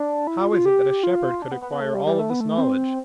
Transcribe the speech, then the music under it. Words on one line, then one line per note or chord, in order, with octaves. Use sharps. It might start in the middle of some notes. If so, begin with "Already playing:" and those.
How is it that a shepherd could acquire all of this knowledge?
Already playing: D4
E4
F4
F4
G4
F4
D4
B3
B3
B3
A3
G3
G3
A3
B3
A3
C4